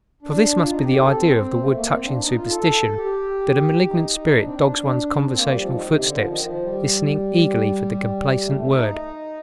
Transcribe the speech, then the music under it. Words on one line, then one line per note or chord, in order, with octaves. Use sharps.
For this must be the idea of the wood-touching superstition, that a malignant spirit dogs one's conversational footsteps, listening eagerly for the complacent word.
D4
F4
D#4
G4
A4
C4
C4
A3
A#3
C4
D4
D4
D#4
F4
A4
G4
D#4
D4
C4
D4
D4
C4
A#3
G3
F3
D#3
C3
D3
F3
D#3
F3
G3
A3
A3
D#4